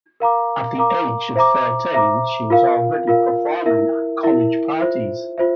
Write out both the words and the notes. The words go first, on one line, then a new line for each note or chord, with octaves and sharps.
At the age of thirteen, she was already performing at college parties.
A#4 F5 A#5 D6
A#4 F5 A#5 D6
C5 E5 A#5 D6
C5 E5 A#5 D6
F4 A#4 F5
F4 A#4 F5
E4 A#4 E5
E4 A#4 E5
F4 C5 E5
F4 C5 E5